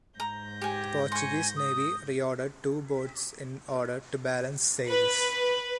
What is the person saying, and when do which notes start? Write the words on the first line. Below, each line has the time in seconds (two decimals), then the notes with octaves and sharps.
The Portuguese Navy reordered two boats in order to balance sales.
0.20 G#2 A#5 G6 A#6
0.61 G4 G#5
1.12 G#5 C6 C#6
1.57 D#6
4.87 B4